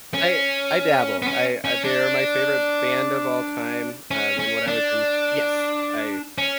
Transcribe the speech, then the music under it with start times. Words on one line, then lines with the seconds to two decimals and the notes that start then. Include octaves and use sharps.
I I dabble. I I they're my favorite band of all time. Um, and when I was in yes, I
0.14 C#4
1.22 B3
1.27 C#4
1.65 C#4
1.84 D4
4.11 C#4
4.39 C#4
4.68 D4
6.38 C#4